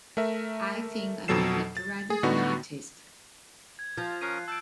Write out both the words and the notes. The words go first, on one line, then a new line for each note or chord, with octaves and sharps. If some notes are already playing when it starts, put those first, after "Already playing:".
I think I'm a better writer than artist.
A3 A#4 E5
F2 B2 F#3 A4 C7 E7
A6
G#4
A2 D3 B3 D#4 F#4
G#6
F3
C#4 A#4 D#6 F#6 C7 D#7
A5 E6 G6 D7